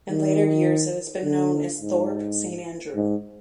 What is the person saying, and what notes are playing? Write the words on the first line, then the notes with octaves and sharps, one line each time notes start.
In later years it has been known as 'Thorpe Saint Andrew'.
D#3
D3
G#2
G#2